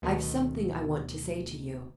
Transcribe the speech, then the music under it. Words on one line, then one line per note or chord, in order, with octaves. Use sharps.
"I've something I want to say to you."
D2 B2 D#3 A3